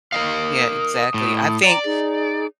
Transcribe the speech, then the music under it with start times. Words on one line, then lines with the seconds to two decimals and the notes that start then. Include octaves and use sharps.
Yeah, exactly. I think
0.12 A#4 D#5 F5 D#6
1.14 A2
1.64 D5 G5 A#5
1.84 D#4 G#4